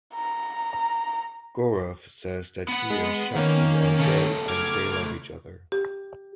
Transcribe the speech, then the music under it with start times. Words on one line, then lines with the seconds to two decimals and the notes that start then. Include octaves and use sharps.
Gaurav says that he and Shakti are gay and they love each other.
0.14 A#5
2.69 B3 F#5
2.90 G#3
3.35 D#3 A#3 C#4
3.99 C#3 A3
4.48 D6 F6 G#6
5.72 G4